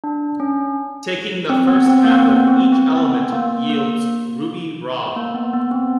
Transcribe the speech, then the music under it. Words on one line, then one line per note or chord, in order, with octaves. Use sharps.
Taking the first half of each element yields "Rubi Rhod".
D4
C#4
C4
B3
C4
A#3
C4
B3
C4
C4
B3
A#3
A#3
A#3
B3
B3
C4